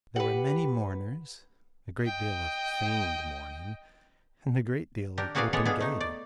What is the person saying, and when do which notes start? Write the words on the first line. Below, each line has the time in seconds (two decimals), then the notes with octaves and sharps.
There were many mourners, a great deal of feigned mourning and a great deal of open gaiety.
0.16 G4 B4 F#5
2.03 D#5 G5
5.18 D4 G4 A#4
5.35 A#3 F#4 G#4 B4 D5 F5
5.53 G#3 B3 G#4 A4 C#5 D5
5.65 B3 D4 G#4 F5
5.80 A3 D#4
6.00 D5